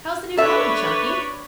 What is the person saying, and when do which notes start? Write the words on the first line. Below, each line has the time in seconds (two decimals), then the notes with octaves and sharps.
How's the new pony, Chunky?
0.37 D4 A4 B4 C#5 E5